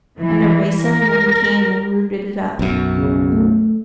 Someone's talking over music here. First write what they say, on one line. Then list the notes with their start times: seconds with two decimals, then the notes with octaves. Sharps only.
And a race of men came and rooted it up.
0.18 E3
0.82 A#4
2.59 B1 F#2
2.97 C#3
3.32 A3